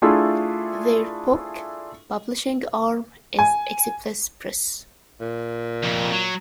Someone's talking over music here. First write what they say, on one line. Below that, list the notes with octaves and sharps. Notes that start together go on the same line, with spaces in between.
Their book-publishing arm is Eclipse Press.
A3 D4 E4 F4 G#4 A4
G#5
A#2
F2 C3
F#3